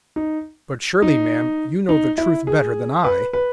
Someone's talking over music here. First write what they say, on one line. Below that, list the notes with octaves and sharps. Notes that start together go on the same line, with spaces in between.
"But surely, ma'am, you know the truth better than I?"
D#4
D#4
D#4
E4
G#4
B4
B4